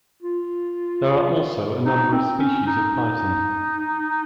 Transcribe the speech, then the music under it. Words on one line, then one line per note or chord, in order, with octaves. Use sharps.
There are also a number of species of python.
F4
D#4
C4
C#4
D#4